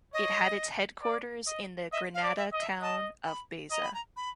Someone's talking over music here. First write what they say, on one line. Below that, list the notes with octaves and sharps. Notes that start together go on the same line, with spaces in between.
It had its headquarters in the Granada town of Baza.
C#5 D#5
D5
D#5
D#5 E5
F5
D5
E5
D#5
E5
D#5 A5
B5
D#5 A#5
B5
A#5
B5